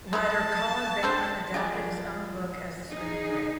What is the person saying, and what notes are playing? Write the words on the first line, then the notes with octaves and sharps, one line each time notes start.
Writer Colin Bateman adapted his own book as the screenplay.
G#3 E4 A5
C4 D4 C5
F3 G#3 D5
D#4 G#4